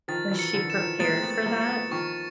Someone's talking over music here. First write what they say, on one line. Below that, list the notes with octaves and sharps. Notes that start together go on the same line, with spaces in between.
Was she prepared for that?
D#3 F3 A6
E3 F#3
C#7
D3 E3
E7
D#3 F3
G#3 A#3 A6
C4
A3 B3
A6
G#3 A#3
C#7
A3 B3
D#3 F3 C#6